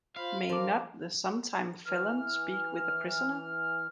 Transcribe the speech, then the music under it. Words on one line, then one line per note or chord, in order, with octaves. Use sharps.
May not the sometime felon speak with a prisoner?
F4 C5 F5 B5
F3 A#4 C5 D6
E3 F6